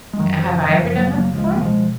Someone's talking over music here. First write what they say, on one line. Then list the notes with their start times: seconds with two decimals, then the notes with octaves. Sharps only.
Have I ever done that before?
0.13 G#3
0.19 F#2 D#3 F#3
0.39 F3
0.49 C#3
0.58 D#3
0.69 F#3
0.77 F#2 F3
0.96 F#3 A#3
1.05 C#3 B3
1.15 F#3 A#3
1.33 C#2 F3 G#3
1.55 A#3
1.61 B2 F3 G#3